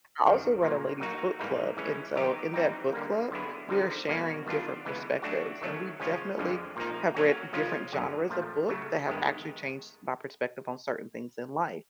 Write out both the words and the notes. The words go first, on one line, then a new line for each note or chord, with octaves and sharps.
I also run a ladies' book club. And so in that book club, we are sharing different perspectives, and we definitely have read different genres of book that have actually changed my perspective on certain things in life.
F#2 D#3 G3
A#2 F#3 A#3
F#3 A#3 D#4 F#4
G#2 E3 G3 A#3 D#4
E3 G#3 C#4
D#3 F#3 B3 D#4 G4
E3 G3 C4 D#4
D3 G3 A#3
D3 F#3 B3 E4 G#4
D3 F3 G#3 C4 D#4
B2 G3 A#3 C#4 F#4
D#3 G3 B3 D4 F4
C#3 E3 G#3 B3 E4
F#3 A3 D4 F#4
D#3 F#3 A3 C#4
C#3 F3 G#3 C#4 F4
F2 D3 F3 G#3
A#2 F3 A#3 D#4
F#3 A#3 C#4 F#4
C#3 F3 G#3 C#4 F4
F#2 D3 F#3 A#3
A#2 F3 A3
C#3 F#3 A3
G2 D#3 G#3 B3